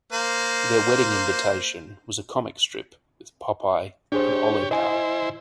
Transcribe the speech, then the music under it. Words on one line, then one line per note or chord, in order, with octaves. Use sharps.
Their wedding invitation was a comic strip with Popeye and Olive Oyl.
A#3 C5
D4 G4 G#4 C5 C#5
E4 C5 D#5 G#5